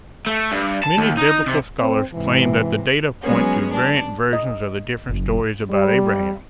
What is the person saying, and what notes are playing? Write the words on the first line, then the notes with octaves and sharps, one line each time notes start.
Many Biblical scholars claim that the data point to variant versions of the different stories about Abraham.
A3
G2
A5
D#2
D#4
C3
C4
G#2 C3 E3
F#3 G#3 B3 C#4 G#4
D4
D#5
F#1
G3